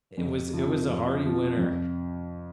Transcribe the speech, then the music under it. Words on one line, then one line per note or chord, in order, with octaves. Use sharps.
it was it was a hearty winter,
F2
C3 F3
F2
C3 F3
F2